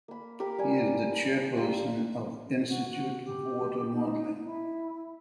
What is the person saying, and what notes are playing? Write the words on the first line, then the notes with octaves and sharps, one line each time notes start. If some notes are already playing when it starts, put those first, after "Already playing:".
He is the chairperson of Institute of Water Modelling.
A#3 B5
G4 A#4 B5 D6
G3 G#5
A5
G4 F5 A#5 C6
F#4
F#4
G4
D#4
E4